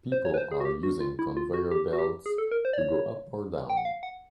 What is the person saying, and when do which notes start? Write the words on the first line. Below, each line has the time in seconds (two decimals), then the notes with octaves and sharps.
People are using conveyor belts to go up or down.
0.12 C5
0.25 C#5
0.34 B4
0.37 C5
0.51 G#4
0.60 F#4
0.65 G4
0.83 F#4
1.00 F4
1.19 E4
1.37 F4
1.54 F#4
1.71 G4
1.93 F#4
1.98 G4
2.26 G#4
2.38 A4
2.51 A#4
2.65 C5
2.73 D5
2.78 C#5
3.70 G5
3.77 F#5
3.85 F5
4.03 F#5